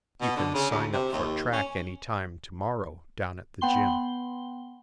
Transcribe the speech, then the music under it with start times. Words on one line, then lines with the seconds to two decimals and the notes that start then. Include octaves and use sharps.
You can sign up for track any time to-morrow down at the gym.
0.21 B2
0.37 D3
0.54 C#3
0.71 D2
0.93 C3
1.13 D#2
1.53 C#4
3.61 B3 F#5 G5 C6 G7